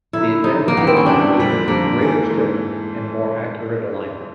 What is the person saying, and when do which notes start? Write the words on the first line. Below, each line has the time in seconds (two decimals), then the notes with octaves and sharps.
The advantages included greater strength and more accurate alignment.
0.13 D3 F#3 A3 E4
0.44 D3 F#3 A3 D#4
0.68 A#3
0.75 E2 C3 E3 G3 B3
0.87 C4
0.96 C#4
1.06 E2 C3 E3 G3 D4
1.37 F2 D3 G3 C4
1.68 F2 D3 G3 A#3 C4
1.99 G#2 E3 A3
2.29 G#2 E3 A3